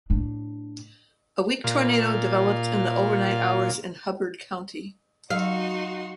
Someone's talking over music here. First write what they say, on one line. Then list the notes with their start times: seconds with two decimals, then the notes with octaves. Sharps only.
A weak tornado developed in the overnight hours in Hubbard County.
0.10 A2 D4
1.64 A#2 F4
5.30 F#3 D#4 F#4 F5 C6